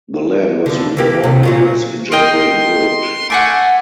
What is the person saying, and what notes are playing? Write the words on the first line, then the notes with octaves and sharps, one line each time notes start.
The land was recorded as "in general good".
F2 D3
E3 A#3 G4
D#2 C3
A#2 F#3 F4
A#4 D#5 G5 C6
A3 F#5 G#5 D6